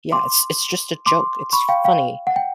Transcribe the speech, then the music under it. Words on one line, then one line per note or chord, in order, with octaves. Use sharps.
Yeah, it's it's just a joke; it's funny,
C6 D6
C6 D6
B5 C#6
F5 G5
F5 G5
F#5
G5